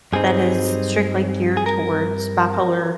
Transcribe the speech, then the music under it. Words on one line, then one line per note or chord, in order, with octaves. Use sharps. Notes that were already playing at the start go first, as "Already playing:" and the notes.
that is strictly geared towards bipolar
G2 G3 C4 D#4 G#4
G#4
A#4